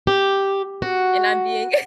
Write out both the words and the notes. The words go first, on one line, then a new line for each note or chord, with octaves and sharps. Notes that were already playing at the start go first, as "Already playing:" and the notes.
and I'm being
G4
F#4